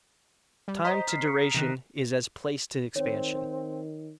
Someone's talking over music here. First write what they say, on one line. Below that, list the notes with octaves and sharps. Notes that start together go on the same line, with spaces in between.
Time to Duration is as Place to Expansion.
G3
C5 D#5 A#5 D#6 B6
F6 B6 C7
C#7
C3 D#3 F#6 A#6
D#3 C4 C#5